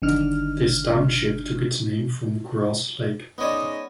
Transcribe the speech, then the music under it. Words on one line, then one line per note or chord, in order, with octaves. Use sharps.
This township took its name from Grass Lake.
G1 D3 D#3 D4 F6
G#3 B3 C#4 D#4 D5 D#5